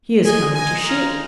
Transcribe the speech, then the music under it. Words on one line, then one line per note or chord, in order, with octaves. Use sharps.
He is coming to shoot.
G#3 D#4 D#5 G#5
D#5 G#5
F5 A#5